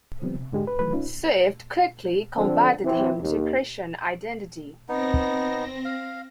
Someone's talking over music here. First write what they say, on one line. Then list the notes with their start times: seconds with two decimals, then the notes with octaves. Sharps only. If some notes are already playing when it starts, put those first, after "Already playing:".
Swift quickly converted him to Christian Identity.
0.22 D3 F3 G3 B3 C4
0.36 C3
0.52 G#2 D3 G#3 G4
0.67 B4
0.79 D#3 E3 F#3 A3 B4
0.93 C#4 D#4 F4
2.36 D3 F3 C4 D4 A4
2.84 E3 C4
3.22 D#2
4.89 B3 C4 D#4 A#6
5.85 F5